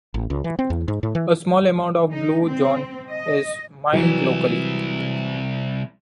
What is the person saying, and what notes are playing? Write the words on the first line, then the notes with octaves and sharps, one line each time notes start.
A small amount of Blue John is mined locally.
A1
C#2
E3
C4
E2
G#2
A2
E3
D#4
C4
D#5
C2 E3 F#3 E4